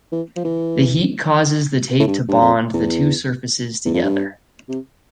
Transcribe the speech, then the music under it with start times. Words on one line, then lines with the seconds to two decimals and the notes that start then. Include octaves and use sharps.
The heat causes the tape to bond the two surfaces together.
0.12 E3
0.36 F3
0.45 E3
2.00 A2
2.08 G2
2.28 G2
2.41 F2
2.74 E2
3.85 E2
3.94 F2
4.04 G2
4.69 C3